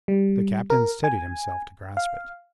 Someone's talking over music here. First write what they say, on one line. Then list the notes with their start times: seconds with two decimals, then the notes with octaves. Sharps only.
The Captain steadied himself to grasp it.
0.08 G3
0.70 A#4
1.04 G#5
1.97 F5